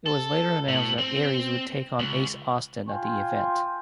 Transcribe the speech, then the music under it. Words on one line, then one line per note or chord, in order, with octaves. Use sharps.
It was later announced that Aries would take on Ace Austin at the event.
A4
A2
C4
C#2
F4 G5 G#5 C6